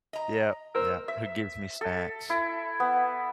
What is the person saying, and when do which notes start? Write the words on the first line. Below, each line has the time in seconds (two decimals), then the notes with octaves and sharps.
Yep. Yep. "Who gives me snacks,"
0.13 D#5 A#5
0.75 A#4 C5 E6
1.08 E5
1.81 A4
2.30 E4
2.80 B3